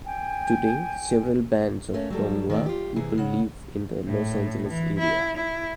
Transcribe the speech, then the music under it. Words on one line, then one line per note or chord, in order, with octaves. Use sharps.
Today, several bands of Tongva people live in the Los Angeles area.
G5 G#5
A3 A#3 C#4
F#3 G3 A4
D#3 A3 C4 D5
F4 G4
C3 E3 E4 G#4
C#3 F#5
A2
E3
E4
E4